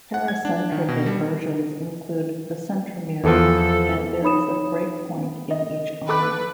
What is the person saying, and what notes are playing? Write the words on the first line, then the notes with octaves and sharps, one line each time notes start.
Pericentric inversions include the centromere and there is a break point in each arm.
F#5
G#6
D4
D#3
B2
G3
E2 E3 F3 A4
D#4 C#5 B5 D#6 E7
D#5
A4 B4 D6 F#6